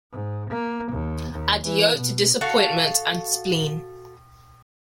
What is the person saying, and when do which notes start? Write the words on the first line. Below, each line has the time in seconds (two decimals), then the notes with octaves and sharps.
Adieu to disappointment and spleen.
0.12 G#2
0.50 A#3
0.92 D#2
1.32 D#2
1.65 E3
1.96 B2
2.41 F#4 A4 F5